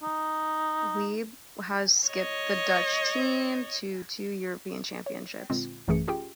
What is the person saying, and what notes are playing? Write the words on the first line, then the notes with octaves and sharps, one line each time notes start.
Wiebe has skipped the Dutch team to two European championships.
D#4
C#5 D#5
C#5
A#2 D3 G#3 C4 F4
A1 F#2 E3 A3 G#4 C#7
C#4 F4 G4 G#4 G5